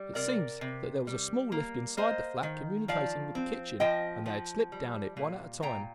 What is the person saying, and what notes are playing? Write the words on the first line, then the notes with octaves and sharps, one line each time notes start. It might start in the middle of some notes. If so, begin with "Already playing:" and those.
It seems that there was a small lift inside the flat communicating with the kitchen, and they had slipped down it one at a time.
Already playing: G3
C3 A#4 D5
C3
G3
A#3
A#3 C5 D#5
D#3
F3 D5 F5
C4
F3 D#5 G5
F3
G3
A#2
A#2 G5 A#5